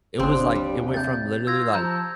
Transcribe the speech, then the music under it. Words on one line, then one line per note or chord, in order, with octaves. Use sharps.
it was like it went from literally, like
G1 D#2 D3 C4 D4 D#6
G3
C3 C4 G6 A6
F4 E6 G#6 A#6
F3 A5 A#5 E6 G6